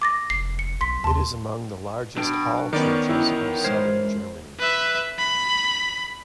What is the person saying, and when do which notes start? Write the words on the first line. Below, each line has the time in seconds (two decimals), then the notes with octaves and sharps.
It is among the largest hall churches in southern Germany.
0.02 D6 A6 A#6
0.30 F1 C7
0.59 C#7
0.81 B1 C6 B6
1.04 D#2 A5 C6
2.17 B2 F#3 D4 G5
2.73 D#3 B3 C#4 D#4 D5
3.09 F#2 E3 E4
3.64 G#3 A#4 C5 C#5
4.59 B4 E5
5.19 B5